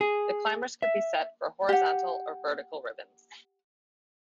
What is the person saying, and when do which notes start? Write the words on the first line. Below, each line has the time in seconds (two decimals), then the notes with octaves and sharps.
The climbers could be set for horizontal or vertical ribbons.
0.01 G#4
0.82 E5
1.69 G4 F#5